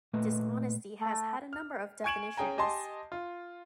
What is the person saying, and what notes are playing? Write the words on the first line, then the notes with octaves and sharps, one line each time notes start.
Dishonesty has had a number of definitions.
A#2 A3 A#3 B4 D#5
A3
F6
G#5 C#6 G#6 D7 E7 F#7
C#4 G#4 G5 G#5 A#5
G4 D#5 G#5 A5 C6
F4